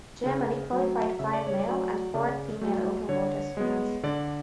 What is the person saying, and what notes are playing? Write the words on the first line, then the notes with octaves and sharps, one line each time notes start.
Germany qualified five male and four female open water swimmers.
C#3
F#3 A3
C#3 E5
D5
C#5
D5
F#3 A3
C#3 D5
F#3 A3
D3 C#5
G#3 B3
D3 D5